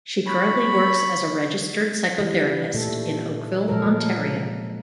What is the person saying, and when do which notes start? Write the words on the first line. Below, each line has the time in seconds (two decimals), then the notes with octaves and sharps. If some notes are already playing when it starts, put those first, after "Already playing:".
She currently works as a Registered Psychotherapist in Oakville, Ontario.
0.26 C#5 B5
2.19 E3 G3
2.74 A#2 A3 A4
3.68 A#2 F3 F#3 G#3 A4 A#4